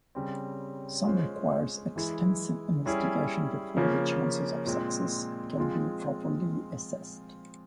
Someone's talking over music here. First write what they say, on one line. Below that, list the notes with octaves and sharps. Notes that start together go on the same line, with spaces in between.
Some require extensive investigation before the chances of success can be properly assessed.
C#3 G3 C4
G#3 C#4 F4 C5
E3 G#3 E4 G#4
G3 C#4 E4 G#4
C#3 F3 A#3 C#4
A#2 G#3 C4
F3 G#3 C4 F4 G#4